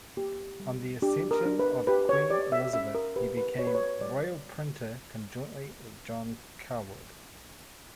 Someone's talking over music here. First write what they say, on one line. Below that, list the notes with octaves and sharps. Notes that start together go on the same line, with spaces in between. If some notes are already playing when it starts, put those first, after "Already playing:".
On the accession of Queen Elizabeth he became Royal Printer conjointly with John Cawood.
A#3 G4
G3
D4 G4
A#4
D4
B4
G4 B4
C#5
G4 D5
E5
C#4 E5
A#4
G4 B4
B4
F#4 C#5
B4
C#5
G3 D5